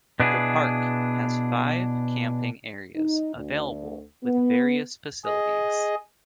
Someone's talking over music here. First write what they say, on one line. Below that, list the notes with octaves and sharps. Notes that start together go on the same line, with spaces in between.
The Park has five camping areas available with various facilities.
B2 B3 D4 E4 F#4 G#4
D#4
D2
B3
G#4 D#5